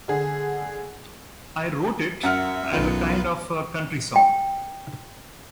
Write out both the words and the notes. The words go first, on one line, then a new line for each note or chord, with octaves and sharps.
I wrote it as a kind of a country song.
D3 G#4
F#2 E5 F#5 F6 C#7
B1 B3 F4 B4
G5